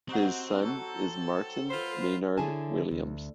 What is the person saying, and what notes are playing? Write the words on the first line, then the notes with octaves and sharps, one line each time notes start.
His son is Martin Maynard Williams.
C4 D#4 F#4 G4 F#5
F#3 C4 A4
F4 B4 C5
D3 E4 G#4 C#5 G#5 A5
D2